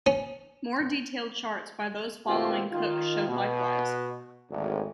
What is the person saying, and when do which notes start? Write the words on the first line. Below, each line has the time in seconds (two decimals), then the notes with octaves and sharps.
More detailed charts by those following Cook showed likewise.
0.06 C#4
2.27 B2 D#3 A#3 C4 F4 G4
2.72 D#3 F4
3.28 B2
4.50 G#1 D2